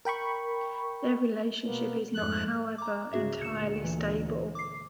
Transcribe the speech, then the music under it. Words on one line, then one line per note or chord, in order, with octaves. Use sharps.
Their relationship is not, however, entirely stable.
A#4 G5 B5 C#6
B2 A#3 B3
F2 G#2 A3 F#6
A#5 D6
G#2 C#3 F#4 G#4 E5
D2 A#2 C#7 E7
E3
D6 C7